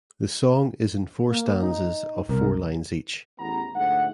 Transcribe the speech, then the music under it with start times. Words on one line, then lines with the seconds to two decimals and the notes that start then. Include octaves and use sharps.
The song is in four stanzas of four lines each.
1.29 A#3
1.62 D#4
2.29 C2 A#4
3.39 A1 E2 B3 A#5
3.75 G#2 D3 F3 A3 F#5